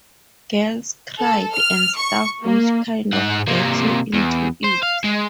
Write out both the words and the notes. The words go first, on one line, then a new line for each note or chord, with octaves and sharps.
Girls cried and stuff which kind of gets you into it.
A4
F6
C#6
A#3
G#2 F#5
C3 A#3
E2
C5
F5
G#3